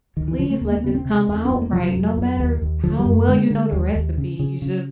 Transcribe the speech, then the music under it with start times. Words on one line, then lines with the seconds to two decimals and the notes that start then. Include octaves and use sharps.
"Please let this come out right," no matter how well you know the recipe you're just
0.17 D2 D#3
0.28 E3
0.39 C#3 F3
0.50 A3
0.61 D#2 A#3
0.72 A#3
0.84 C#3 B3
0.95 C4
1.05 C3
1.28 E2
1.45 C4
1.50 F2 B3
1.62 A#3
1.72 C3 F3
1.83 F#3
1.95 F2
2.17 F2
2.40 D#2
2.62 D#2
2.84 D3 F3
2.99 G3
3.06 F#2
3.13 A3
3.28 D3 G#3
3.50 D3
3.72 D#2
3.95 D#2
4.18 C#3
4.39 C#3
4.62 C#3